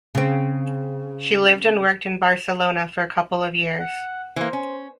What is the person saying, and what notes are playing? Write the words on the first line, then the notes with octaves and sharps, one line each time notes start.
She lived and worked in Barcelona for couple of years.
C#3 C4
F#5
E3 A#3 C5
C#4